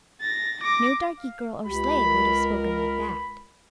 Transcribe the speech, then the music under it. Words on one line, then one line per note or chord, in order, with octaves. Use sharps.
No darky girl or slave would have spoken like that.
A6 A#6
D6 A#6
F5
C#2 G4 B5
A#4
B5